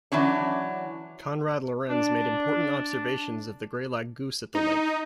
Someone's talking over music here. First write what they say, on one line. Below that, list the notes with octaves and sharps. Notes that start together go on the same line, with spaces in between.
Konrad Lorenz made important observations of the greylag goose at the lake.
E3 F#3 C#4 D4
D4
D#4